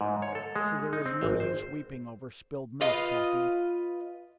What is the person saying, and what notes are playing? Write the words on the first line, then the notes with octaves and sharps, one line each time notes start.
So there is no use weeping over spilled milk, Cappy.
G#2
C#5
A4
G#3
D#4
C4
G#1
C5
F4 B4 D#5 F5